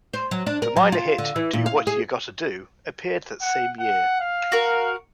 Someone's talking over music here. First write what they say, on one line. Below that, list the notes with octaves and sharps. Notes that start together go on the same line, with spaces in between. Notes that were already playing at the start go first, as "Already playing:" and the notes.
The minor hit "Do What You Gotta Do" appeared that same year.
C5
F#3
D4
A#4
F#3
F4
D3
E3
A#2
F5
G#4
F#5
F#5
F5
F#4 A#4